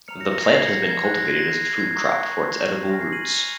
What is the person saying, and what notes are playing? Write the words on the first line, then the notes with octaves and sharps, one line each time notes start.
The plant has been cultivated as a food crop for its edible roots.
A#5 F6 C#7 F7
A#6 C#7
A#6 C#7
G#6 C7
G#6 C7
A#6 C#7
A#6
G#6
C6 F#6 A#6
A#6
G#6 C7
A#6
G#6 C7
G#6
A#5 C#6 F#6
G#5 C6 F6 A#6
G#6 C7
D#7 F#7
D#7 F#7
C#7 F7